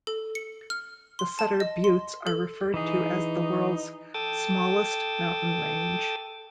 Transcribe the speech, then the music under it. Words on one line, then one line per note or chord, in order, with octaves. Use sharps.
The Sutter Buttes are referred to as the world's smallest mountain range.
A4
C#7
F6
C6
A5
D#5
C6
A4
E3 D#4 G#4
A4 G5 A5 D6 D#6 A6